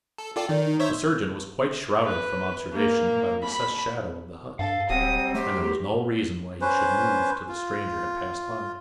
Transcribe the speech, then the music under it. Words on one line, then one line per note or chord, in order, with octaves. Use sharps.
The surgeon was quite shrouded from observation by the recessed shadow of the hut, and there was no reason why he should move till the stranger had passed by.
A4
F4 A4 D5 G5
D#3 D5
D#4
C5 C#5 E5
B4
A#3
B5
G2 A4 F5
D1 G3 C4 F#4 D#6
A3 G4 C5
C#4 B4 C5
F4